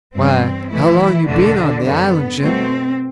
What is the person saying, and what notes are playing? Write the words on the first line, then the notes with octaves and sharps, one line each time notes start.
"Why, how long you been on the island, Jim?"
G2 E3 G3 C4
B2 E3 A3 E4
E2 B2 D3 A3 D4
F#2 D3 G3 B3
B2 F#3 A3 C4